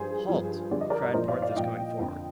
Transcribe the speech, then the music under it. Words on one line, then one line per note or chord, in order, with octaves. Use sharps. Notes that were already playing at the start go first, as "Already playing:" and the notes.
"Halt!" cried Porthos coming forward.
Already playing: G2 F3 G#4 C5
G2 F3
G2 D3 F3 D5
D#5
A#4 D5
D5
A#2 F3 C5 D#5
D5 F5
D5 F5
A#2 F3 D#5 G5
F2 D3 F3